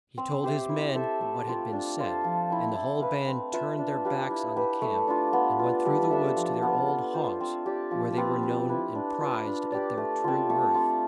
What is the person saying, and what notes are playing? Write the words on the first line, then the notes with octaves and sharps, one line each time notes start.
He told his men what had been said, and the whole band turned their backs on the camp, and went through the woods to their old haunts where they were known and prized at their true worth.
C4
G4 C5 E5
E4
A4 C5 E5
A3
C4 F4
D4
A4 C5 F5
F3
C4 E4
E4
B4 F5
C4
F4 B4 E5
D4
G4 B4 F5
E4
G4 B4 E5
A3
D4 F4
B3
D4 F4
G3
D4 A4 E5
F3
B3 F4
B3
F4 C5
C4
G4 D5
F3
C4 F4 B4
C4
E4 B4
D4
F4 B4
D4
G4 D5
A3
C4 F4
A3
C4 F4